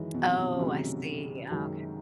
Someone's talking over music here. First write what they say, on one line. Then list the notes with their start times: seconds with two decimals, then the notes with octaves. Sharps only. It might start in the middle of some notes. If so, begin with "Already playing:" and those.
Oh, I see. Oh, okay.
Already playing: F#2 D#3 E3 G#3
0.14 B2
0.26 C3
0.38 B2
0.53 C#3
0.59 F#2 C3 D#3 G#3
1.50 F#2 D#3 G#3